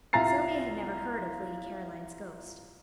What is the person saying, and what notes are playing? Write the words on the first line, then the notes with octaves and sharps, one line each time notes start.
Sylvia had never heard of Lady Caroline's ghost.
C2 F4 E5 A#5 A6 C7